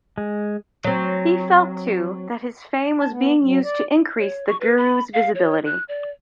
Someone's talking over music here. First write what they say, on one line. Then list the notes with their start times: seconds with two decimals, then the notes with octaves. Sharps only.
He felt too that his fame was being used to increase the guru's visibility.
0.18 G#3
0.84 F#3 C4
2.98 A5
3.11 B3
3.42 F#3
3.64 D5
4.19 C#5
4.47 C#6
4.61 B4
4.77 B5
5.13 F5
5.35 C#5
5.65 F#6
5.88 D5